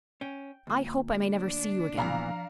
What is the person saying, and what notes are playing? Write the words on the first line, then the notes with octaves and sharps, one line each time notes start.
I hope I may never see you again.
C#4 G5
D2 A#2
D4
A#2 E3 F3 B3 F5 A#5 B5